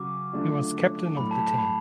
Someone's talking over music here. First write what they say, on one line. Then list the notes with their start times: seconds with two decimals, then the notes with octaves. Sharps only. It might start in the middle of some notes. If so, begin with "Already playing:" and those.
He was captain of the team.
Already playing: C#3 F#3 C#4 F#4 D6
0.33 D3 F#3 A3 D4 F4
1.17 A2 F#3 A3 B5
1.31 A5
1.45 A5
1.58 B5